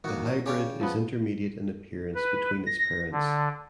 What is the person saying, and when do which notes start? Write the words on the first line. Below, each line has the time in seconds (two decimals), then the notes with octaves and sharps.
The hybrid is intermediate in appearance between its parents.
0.04 D#3 A#3 F#4
0.26 F#3
0.46 C#3 G4 C#5 D5
0.81 F3 B3
2.15 B4
2.66 A#6
3.12 D3